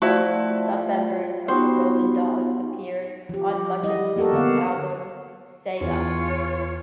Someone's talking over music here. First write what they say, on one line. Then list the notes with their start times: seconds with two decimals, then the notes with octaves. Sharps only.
Some members of The Golden Dogs appeared on much of Zeus' album "Say Us".
0.02 F3 A3 E4 F#4 D5 G5
1.48 G3 B3 D#4 F4 F#4 C5
3.29 F3 G4
3.83 G3 E4 D#5
4.16 A#3 F#4 G4 A4 A#4
4.32 D3 B3 C4 F5 F#5
5.80 E2 E3 F4 C#5